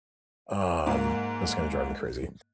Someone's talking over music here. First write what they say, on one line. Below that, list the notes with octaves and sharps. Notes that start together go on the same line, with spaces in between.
Um, that's gonna drive me crazy.
G#2 A#3